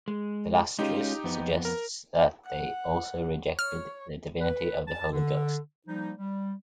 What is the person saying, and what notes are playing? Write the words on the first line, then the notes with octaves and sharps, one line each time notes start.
Philastrius suggests that they also rejected the divinity of the Holy Ghost.
G#3
G#3 C#4 D#4 F4 G4
F2 B3
A#4
F#5
C#5 F6
B4
A5
D3
F3 G3 A#3 D#4
G3